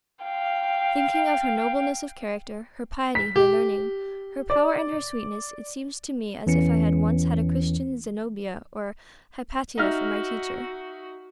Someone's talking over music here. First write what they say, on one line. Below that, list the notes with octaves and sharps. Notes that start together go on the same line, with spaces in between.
Thinking of her nobleness of character, her piety, her learning, her power, and her sweetness, it seems to me as if I had once had a Christian Zenobia or Hypatia for my teacher.
F5 G5
B6
G4
D5
E2 E3 C#4 C#7
D#4 F#4 E5 F6